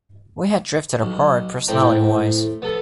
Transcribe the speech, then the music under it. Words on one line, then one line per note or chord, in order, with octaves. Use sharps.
We had drifted apart, personality-wise.
B1
A2 C4 G5 A#5
B3 A4